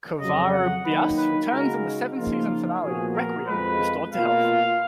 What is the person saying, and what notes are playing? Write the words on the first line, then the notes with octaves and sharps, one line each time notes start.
Covarrubias returns in the seventh season finale "Requiem", restored to health.
F2 C#3 F#3 D#5
F#5
D#3 F#3 A#3 D#4 B4
B4
C#3 G#3 D#4 F#4 A#4
C#3 F3 A#3 D#4 F4
A#2 F3 B3 F#4 G#4
A#4
F2 F3 G#3 B4
B2 A#3 F4 F5